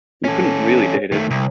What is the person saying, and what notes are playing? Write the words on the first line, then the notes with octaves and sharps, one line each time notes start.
You couldn't really date it.
C#4 A4
D#3 A3
C2